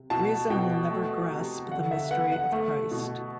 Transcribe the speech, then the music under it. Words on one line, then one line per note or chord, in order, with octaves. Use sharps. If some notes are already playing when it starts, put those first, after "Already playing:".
Reason will never grasp the mystery of Christ.
Already playing: C3
B2 A5
B2 G5
A3
C3
D3 F#5
E5
B3 F#5
F#5
A3
B2